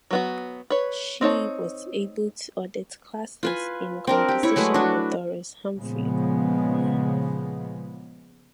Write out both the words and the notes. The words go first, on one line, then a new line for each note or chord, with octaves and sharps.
She was able to audit classes in composition with Doris Humphrey.
F#3 B3 F#4
B4 C#5
C4 D#4 C#5 A5
F4 B4 G#5
C4 D4 A#4
G4
E4 C#5
F#3 G#3 A3 B4
D4 F#4
A#2 C#3 F3 G#3 B3